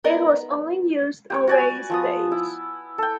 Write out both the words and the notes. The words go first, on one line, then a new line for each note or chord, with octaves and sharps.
It was only used on race days.
B3 D#4 A#4 D5 D#5
G4 B4 C#5
F#4 D5 G#5
F3 B3 D#6
E4
A4 G5